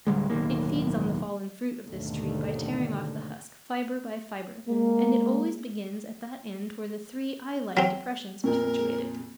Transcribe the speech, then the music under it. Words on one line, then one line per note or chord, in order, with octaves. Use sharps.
It feeds on the fallen fruit of this tree by tearing off the husk, fibre by fibre; and it always begins at that end where the three eye-like depressions are situated.
D1 D3 G3 G#3
D1 B1 D#3 A#3
D#2 G#2 B2 D3 D#3 A3
G#3 A#3
F#3 C4
F2 A#2 A#4